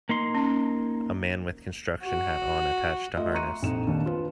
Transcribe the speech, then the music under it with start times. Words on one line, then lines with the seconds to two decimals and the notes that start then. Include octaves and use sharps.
A man with construction hat on attached to harness.
0.09 A#3 D#4 C6
0.35 C#4
2.02 F#4
3.17 A3 F4 D#5 E5
3.34 A#5 C6 C#6 F#6 C#7 D#7
3.63 A#1 C3 D#4 A4 E7
3.87 D#2 D#3 D4
4.06 F4 B4